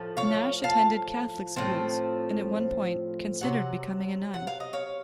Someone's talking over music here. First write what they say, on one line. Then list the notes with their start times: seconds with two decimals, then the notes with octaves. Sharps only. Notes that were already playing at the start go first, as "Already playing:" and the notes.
Nash attended Catholic schools, and at one point considered becoming a nun.
Already playing: A2 F3
0.17 C#5 F5
0.64 F5 A5
1.56 A2 F3 C4
3.41 C3 F#3 F#5
4.34 F#5
4.47 F5
4.60 D#5
4.73 C#5 F5